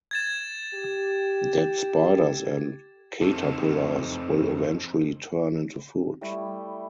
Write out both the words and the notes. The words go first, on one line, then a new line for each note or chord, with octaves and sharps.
Dead spiders and caterpillars will eventually turn into food.
G#6 A6 E7
G4
F2 C4 D#4 A4
G3 A3 E4